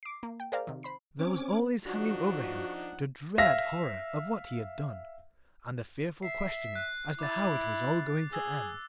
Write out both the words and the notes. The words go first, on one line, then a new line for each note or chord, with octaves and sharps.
There was always hanging over him the dread horror of what he had done, and the fearful questioning as to how it was all going to end.
D6 C7
A#3
G5
G#4 A#4 C5 D5 F5 A#5
C3 D#3
C5 B5 C7
C4 C#4 D6
F3 D4 D#4 F#4 F#5
E5 F5 A#6
E5 C7
F#6
E4 D6 A6
G#4 E6